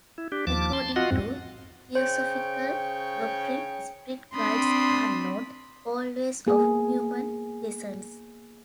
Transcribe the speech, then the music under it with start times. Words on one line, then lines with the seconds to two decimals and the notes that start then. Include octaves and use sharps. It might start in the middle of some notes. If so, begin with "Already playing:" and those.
According to theosophical doctrine, spirit guides are not always of human descent.
0.18 E4
0.32 D4 G4
0.47 D#2 F3 A5 D6
0.73 A5 C6
0.96 F4 F#4 D#5 F#5 C6
1.11 F2 G#2 C4
1.95 C#3 C5 C#5 G5
4.35 C4 D4 B5 C6 D#6
6.47 A#3 B3 G#4